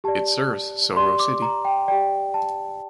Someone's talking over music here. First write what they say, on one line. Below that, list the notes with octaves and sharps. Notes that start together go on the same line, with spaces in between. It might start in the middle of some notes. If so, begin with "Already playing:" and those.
It serves Soro city.
G4 D5 A5
G4 D5 C6
D6
A#5
G5
G4 D5 G5
A5